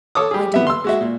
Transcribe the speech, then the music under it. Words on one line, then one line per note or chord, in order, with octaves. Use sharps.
I do not.
A4 C#5 D6 D#6
G4 G#4
B3 E5
C6 E6
G#3 F#4 E5
A#2